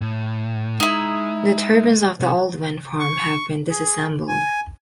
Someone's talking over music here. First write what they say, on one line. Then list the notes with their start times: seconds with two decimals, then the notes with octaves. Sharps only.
The turbines of the old wind farm have been disassembled.
0.01 A2
0.80 G#3 D#4 E4
2.21 C3
3.00 C#6
3.70 G#4
4.28 G#5